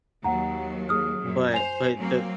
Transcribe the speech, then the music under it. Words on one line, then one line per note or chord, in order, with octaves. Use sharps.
But but the
D#2 F#3 F#5 A#5
G#4 D#6 F6
F#2 A#2
C5 G#5 F7
F#3 A#3 C4